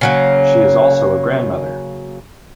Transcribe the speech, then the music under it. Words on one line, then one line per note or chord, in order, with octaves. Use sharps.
She is also a grandmother.
C#3 F#3 A#3